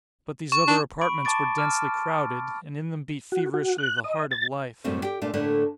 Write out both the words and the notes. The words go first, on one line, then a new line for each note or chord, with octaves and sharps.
But these other apartments were densely crowded, and in them beat feverishly the heart of life.
C#6
D4
B5 C#6 D7
A5 C#6 D6 A6 D7
A5 D6 F6
F#4
F#4
F#6
D#5
A6
F#2 A2 C3 G3 A3 C4
G4 G5
A#2 A3 D4
A2 D3 A3 A#3 B4